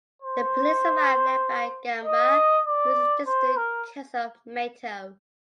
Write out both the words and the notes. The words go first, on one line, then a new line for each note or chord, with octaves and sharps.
The police arrive, led by Gamba, who is a distant cousin of Mateo.
C5
D#5
D5
C5
A#4